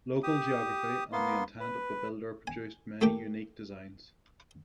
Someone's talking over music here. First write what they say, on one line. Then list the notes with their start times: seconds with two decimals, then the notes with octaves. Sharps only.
Local geography and the intent of the builder produced many unique designs.
0.23 G4 D#6
1.13 A#3 B3 C6
1.60 B4
2.47 G#5
3.01 A3 A#3 G4 G5